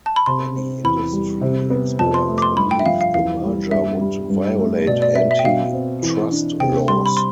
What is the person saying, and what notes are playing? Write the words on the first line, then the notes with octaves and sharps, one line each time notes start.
Many industry experts believe the merger would violate anti-trust laws.
A5
B5
C3 C6
C4
E2 B5
G3
C3
B3
F2 A5
C6
A3
D6
C6
G2 B5
G5
E5
F3 F5
F5
E2 F5
G3
G2 E5
G3
G2
A3
B2 D5
D5
B3 E5
E5
G5
B2 F5
C4
E3
D4
C3 G5
G3 C6
B5
C6